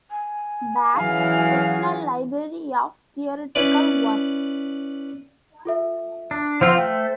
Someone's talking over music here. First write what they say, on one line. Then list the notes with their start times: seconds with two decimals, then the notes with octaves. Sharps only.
Bach's personal library of theoretical works.
0.10 G#5
0.96 E3 F#3 C#4 F#4 G#4 F5
3.55 C#4 E4 B4 D5
5.65 F4 A4 E5
6.31 D4
6.61 F3 C4 F4 C5 F5 F#5
6.78 A3 G5